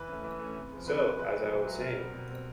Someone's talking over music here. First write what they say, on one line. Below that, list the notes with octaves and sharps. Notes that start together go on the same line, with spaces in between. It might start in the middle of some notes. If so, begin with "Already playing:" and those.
So, as I was saying.
Already playing: E3 B4
A3 C#4
E3
A3 C#4
C3
F3 G#3
C3 B4
B4
F3 G#3
A#2 B4
F#3 A3
A#2
F#3 A3
B2 A#4
G3 C4
B2
G3 C4